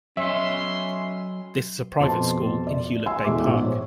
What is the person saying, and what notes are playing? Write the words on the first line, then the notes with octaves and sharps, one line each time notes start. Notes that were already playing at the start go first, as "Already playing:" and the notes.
This is a private school in Hewlett Bay Park.
F#3 C#4 D#5 E5 C6
F2 B2 A5 C6
D5
G#5 C6 E6
E2 B2 G#3 A3 E5 D6
A#1 G#2
C5 C#5